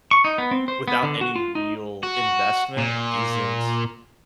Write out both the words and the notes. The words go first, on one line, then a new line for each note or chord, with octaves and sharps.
without any real investment isn't,
C#6
D#4
B3
C4
C5
B3
D3
F#4
F4
D#4
F#4
A#2